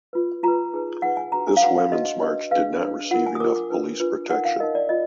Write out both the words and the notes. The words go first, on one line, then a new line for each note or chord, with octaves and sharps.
This Women’s March did not receive enough police protection.
F4 B4
F4 B4 A#5
D#4 G#4 B4
D#4 G#4 B4 F#5
G#5
D4 F#4 B4 A#5
G#5
F5
D4 F#4 B4 F#5
F5
D4 F#4 B4 D#5
D4 F#4 B4 D#5
D4 G#4 B4 F5
D4 G#4 B4
F4 A#4 F#5
G#5
D#6
F4 A#4 D6
D6
D4 F4 B4
D4 F4 B4
D#4 A#4 F#5
F5
D#4 A#4 D#5
D5
F4 D#5